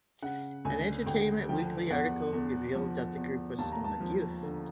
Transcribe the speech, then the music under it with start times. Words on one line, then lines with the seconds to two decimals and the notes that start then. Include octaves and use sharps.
An "Entertainment Weekly" article revealed that the group was Sonic Youth.
0.22 C#3 F#5
0.65 D2 G#5
1.06 D2 G5
1.49 F3 G5
1.90 E2 F#5
2.33 E2
2.75 F3
3.16 E2
3.58 D#2 A5
3.72 A#5
3.84 A5
4.00 F3
4.43 D3